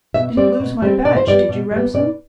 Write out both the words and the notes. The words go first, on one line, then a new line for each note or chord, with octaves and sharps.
Didn't lose my badge, did you, Remsen?
B2 E5
G3 C4 D5
B2
G3 C4
B2 D5
C5
G3 B3 D5
B2
G3
B3
B2 D5